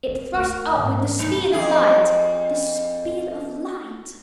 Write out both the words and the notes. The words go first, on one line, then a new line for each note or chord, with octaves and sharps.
It thrust up with the speed of light--the speed of light?
C4
D2 A#3 F6
G#2 E3
C2 D#4 B5 C#7
F2 G#4